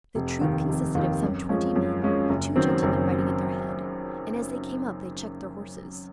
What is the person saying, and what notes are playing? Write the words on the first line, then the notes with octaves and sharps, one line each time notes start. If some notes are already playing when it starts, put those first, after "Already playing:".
The troop consisted of some twenty men, two gentlemen riding at their head; and as they came up, they checked their horses.
F1
D#2 D#3
F1
D#2 D#3
F#2
F3 G#3 C#4
F#2
F3 G#3 C#4
F#1
F#2 D#3 F#3 C4
F#1